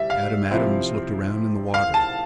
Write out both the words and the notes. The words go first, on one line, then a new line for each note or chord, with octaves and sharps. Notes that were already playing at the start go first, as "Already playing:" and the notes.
Adam Adams looked around in the water.
Already playing: G3 E5
F5
C3 F3 C4 E4
F5
A5